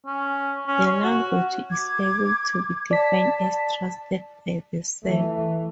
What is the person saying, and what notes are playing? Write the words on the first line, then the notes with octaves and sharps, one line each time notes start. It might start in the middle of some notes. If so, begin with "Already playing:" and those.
The language is able to be defined as trusted by the server.
C#4
C#4
C#5
F#4
D6 G#6
D5 A5 B6
E3 A3